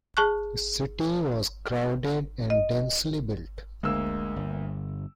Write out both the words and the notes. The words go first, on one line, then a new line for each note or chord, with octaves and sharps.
The city was crowded and densely built.
G#4 A5 C#6 F#6
D#5
D2 G#3 A#3 E6
G1